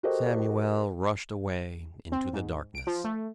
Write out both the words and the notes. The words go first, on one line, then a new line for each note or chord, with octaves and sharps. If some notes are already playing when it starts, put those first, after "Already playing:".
Samuel rushed away into the darkness.
F#4 G4 A4 A#4 C5 D#5
C4
G#2
D7
F3
A3